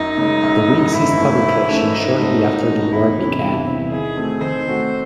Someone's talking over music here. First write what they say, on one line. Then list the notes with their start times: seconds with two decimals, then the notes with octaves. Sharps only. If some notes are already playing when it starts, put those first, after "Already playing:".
"The Week" ceased publication shortly after the war began.
Already playing: F#2 D#4
0.18 C#3 G#3
0.43 F#2
0.68 C#3 G#3
0.92 G#1 E4
1.17 F#2 E3 A3 C#4
1.43 G#1
1.68 F#2 E3 A3 C#4
1.92 G#1 D#4
2.17 G#2 F#3 A3 C#4
2.42 G#1
2.67 G#2 F#3 A3 C#4
2.92 E2 E4
3.16 C3 E3 C4
3.42 E2
3.67 C3 E3 C4
3.91 D#3 G#4
4.17 A3 C4 F#4
4.41 D#3 C5
4.66 A3 C4 F#4